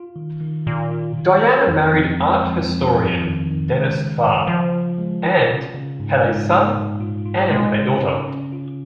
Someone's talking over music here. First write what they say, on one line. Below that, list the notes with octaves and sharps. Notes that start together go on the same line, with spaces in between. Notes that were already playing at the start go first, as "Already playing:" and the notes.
Diana married art historian Dennis Farr, and had a son and a daughter.
Already playing: F4
D#3
D#3
A#2 D#3
F4
F4
A#3
F2
F2
G#3
F2
F2
F2
D#3
D#3
G#3
C#3
C#3
F3 F4
F4
G#3
F4
F4
C#3
G#2
G#2
G#2
A#2
F4
F4
G#3 D#4
C#3
C#3
C#4
F4